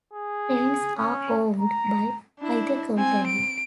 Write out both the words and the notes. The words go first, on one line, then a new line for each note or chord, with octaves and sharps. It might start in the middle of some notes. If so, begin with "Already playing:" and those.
Trains are owned by either company.
G#4
C#4
A#5
D4 E4
C4 G#5
D7